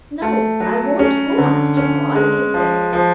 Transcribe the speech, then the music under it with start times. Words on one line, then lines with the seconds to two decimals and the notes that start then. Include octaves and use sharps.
'No, I won't go, after all,' he said.
0.22 A3
0.60 F#3
0.99 C#4
1.38 D3
1.77 C#4
2.15 G#3
2.54 F3
2.93 F3